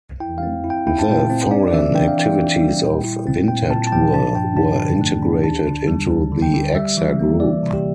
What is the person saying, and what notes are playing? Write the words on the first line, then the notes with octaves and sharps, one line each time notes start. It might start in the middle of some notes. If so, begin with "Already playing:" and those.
The foreign activities of Winterthur were integrated into the Axa Group.
E4 G5
C4 F5
E4
G5
E4 G5
A5
A#2 G5
C4
D4 D5
D5
E3 E5
D4 G5
F5
E3 G5
E3
G3
A#2
E4
C4
A#2 G5
A#2 A5
A5
F3 G5
D4 A5
G2 G5
D4 A5
D3
A3
D4
D2 A5
D3
G3
D2
D3
G5
D3
G3 E5
E3
A#3
E3 D5
C3
G4